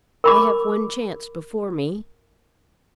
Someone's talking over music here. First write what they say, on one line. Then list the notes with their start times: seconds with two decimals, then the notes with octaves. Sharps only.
I have one chance before me.
0.24 A#4 B5 D6